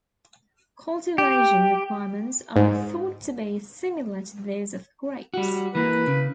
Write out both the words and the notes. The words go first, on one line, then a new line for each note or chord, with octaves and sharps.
Cultivation requirements are thought to be similar to those of grapes.
G4
G#2
G3 F#4
E3 A#3 B4
C#3